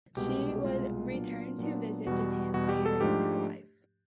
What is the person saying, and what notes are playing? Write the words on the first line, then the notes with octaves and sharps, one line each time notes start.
She would return to visit Japan later in her life.
C2 B2 G#3 G4
C2 B2 G#3 F4
A#2 F#3 B3 D4
A#2 F#3 B3 D4
E2 B2 G3 F#4
E2 B2 G3 F#4
G4
A4
G#2 F3 A3 D4 G4